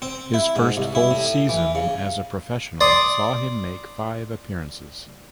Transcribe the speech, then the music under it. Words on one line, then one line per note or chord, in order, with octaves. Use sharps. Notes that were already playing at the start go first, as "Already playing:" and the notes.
His first full season as a professional saw him make five appearances.
C4
E4
G#2
C2
E4
A2
E3
C#3
D5 C6 D#6